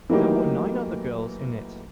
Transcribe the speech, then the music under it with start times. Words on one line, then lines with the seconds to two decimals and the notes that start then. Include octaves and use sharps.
There were nine other girls in it.
0.10 E3 F#3 A3 A#3 D#4 G4